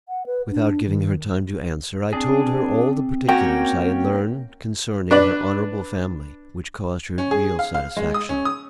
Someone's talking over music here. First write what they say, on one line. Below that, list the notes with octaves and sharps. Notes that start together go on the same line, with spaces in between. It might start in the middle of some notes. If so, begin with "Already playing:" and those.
Without giving her time to answer I told her all the particulars I had learned concerning her honourable family, which caused her real satisfaction.
F#5
B4
D4
D#3
C4 D4 G#4
A#3 C#4 F#4 C#5 G5
D4 B4 D5
C#4
G#4
F5
F5
G#3
D#6
C#4
D#6